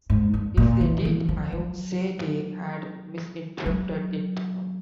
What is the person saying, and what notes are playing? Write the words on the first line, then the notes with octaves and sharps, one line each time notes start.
If they did I would say they had misinterpreted it.
G#2
G2
A#2
E3
E3
F3
F#3
F#3